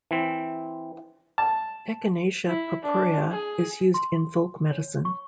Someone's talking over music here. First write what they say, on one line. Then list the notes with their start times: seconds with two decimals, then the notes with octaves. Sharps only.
"Echinacea purpurea" is used in folk medicine.
0.11 E3 C4
1.38 A5
2.48 E4
2.82 D4
3.31 G#4
3.94 C6
4.71 C#5
5.05 C#6